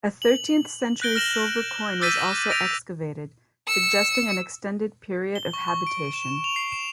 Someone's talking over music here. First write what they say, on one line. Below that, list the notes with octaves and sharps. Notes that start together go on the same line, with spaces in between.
A thirteenth century silver coin was also excavated, suggesting an extended period of habitation.
F#7
F#6 G6 A#6 D7 G7
F6 A#6 E7 F#7
D6 E6 G6 A6 B6 D#7
A#6 D7 F7
E6 C#7
G7
C#6
C#6
D7
E7
F7
C7
E7